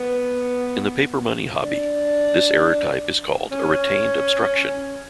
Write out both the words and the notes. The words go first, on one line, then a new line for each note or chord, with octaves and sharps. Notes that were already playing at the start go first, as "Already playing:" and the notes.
In the paper money hobby, this error type is called a retained obstruction.
Already playing: B3
D4
C#4